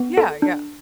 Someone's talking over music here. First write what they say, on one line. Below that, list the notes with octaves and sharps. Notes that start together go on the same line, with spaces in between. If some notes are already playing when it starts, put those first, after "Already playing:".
Yeah, yeah.
Already playing: B3
A4
D4